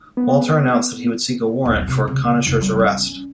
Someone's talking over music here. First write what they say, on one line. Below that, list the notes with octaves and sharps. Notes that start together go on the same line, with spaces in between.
Walter announced that he would seek a warrant for Conacher's arrest.
B3
D#1 B1
C3
C#2
F1
G3
C#4